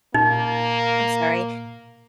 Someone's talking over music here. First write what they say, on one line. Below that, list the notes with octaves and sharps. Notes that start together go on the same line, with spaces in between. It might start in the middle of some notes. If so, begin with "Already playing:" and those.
I'm sorry,
A#2 A#3 D#4